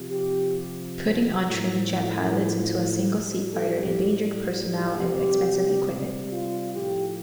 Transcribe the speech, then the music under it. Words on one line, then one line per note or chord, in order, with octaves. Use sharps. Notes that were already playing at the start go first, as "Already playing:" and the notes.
Putting untrained jet pilots into a single-seat fighter endangered personnel and expensive equipment.
Already playing: C3 F3
G4
A2 F3
A2 G3
A4
G4
C3 G3 G4
F4
A2 F3 G4